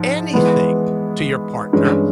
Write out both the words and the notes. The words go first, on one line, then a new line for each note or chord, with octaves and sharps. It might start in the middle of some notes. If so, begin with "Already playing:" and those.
anything to your partner,
Already playing: G#2 F3
E3 G#3 B3
G2 E3 G#3 C#4